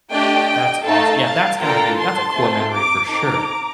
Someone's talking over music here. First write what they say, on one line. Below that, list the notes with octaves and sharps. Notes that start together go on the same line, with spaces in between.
That's awes yeah, that's gotta be that's a core memory for sure.
A3 D4 G4 D#5 G5
A3 D#4 A4 F5 A5
F5 A5
A#3 D4 F4 A4 G5 A#5
A5 C6
A3 C4 F4 A4
A#5 D6
C4 D#4 A4 A#5 D6